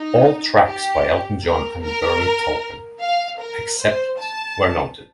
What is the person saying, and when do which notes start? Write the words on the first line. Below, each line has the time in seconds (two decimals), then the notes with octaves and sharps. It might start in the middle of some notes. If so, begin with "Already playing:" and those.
All tracks by Elton John and Bernie Taupin, except where noted.
Already playing: D#4
0.66 G4
1.44 A#4
1.83 A#4
3.01 F5
3.39 A#4
3.79 C5
4.17 A5